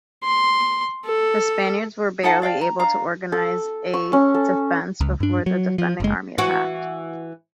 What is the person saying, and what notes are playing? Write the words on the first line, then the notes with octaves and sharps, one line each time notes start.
The Spaniards were barely able to organise a defence before the defending army attacked.
C6
A4
D#4 A4 F#5 A5
D5 F5 G5 A5
A#5
D4 F5 A#5
A4
C#6
C#4
A4
C#2
G2 D4
F#3
F3
F#1 G#3
E3 F#4